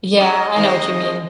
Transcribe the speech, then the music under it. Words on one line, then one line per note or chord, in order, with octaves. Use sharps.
Yeah, I know what you mean,
C#4 D#5
C3 D#3 G#3